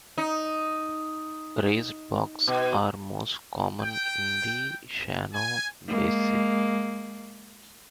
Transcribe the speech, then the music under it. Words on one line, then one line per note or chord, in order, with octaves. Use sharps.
Raised bogs are most common in the Shannon basin.
D#4
B2
G5
G#5
G#3 A#3